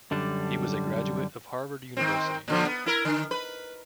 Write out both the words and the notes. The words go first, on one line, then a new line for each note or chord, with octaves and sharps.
He was a graduate of Harvard University.
F#2 D3 G3 D4
D#3 C4
A#2 D3 F3
B3
E4 A#4
D3
B4